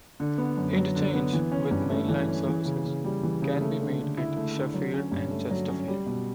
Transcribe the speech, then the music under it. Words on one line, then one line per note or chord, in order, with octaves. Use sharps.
Interchange with mainline services can be made at Sheffield and Chesterfield.
D3
B3
F#2
F#3
D3
B3
E3
C#4
G2
A3
E3
C#4
E3
C#3
C#3
G3
E3
C#3
A3
D3
D3
E4
A3
D3
F#3
C#4
G2
A3
F#3
C#4
G3
B2